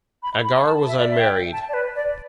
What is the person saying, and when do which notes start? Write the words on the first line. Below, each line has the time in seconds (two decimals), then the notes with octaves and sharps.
Agar was unmarried.
0.23 B5
0.44 B5
0.65 A5
0.87 E5
0.98 D5
1.09 E5
1.19 G5
1.52 A5
1.68 D5
1.73 B4
1.95 D5